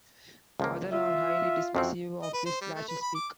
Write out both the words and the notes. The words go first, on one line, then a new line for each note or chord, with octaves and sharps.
Others are highly dismissive of this slashy speak.
C#2 F3 A#3
F4 E5
F2 F3 C4 C#4 E4 F#4
D#5
B4
C5
G3
A3
B4
B5
D6